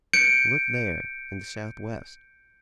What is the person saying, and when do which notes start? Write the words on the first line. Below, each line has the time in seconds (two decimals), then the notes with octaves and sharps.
Look there, in the southwest.
0.13 G6 C#7 D7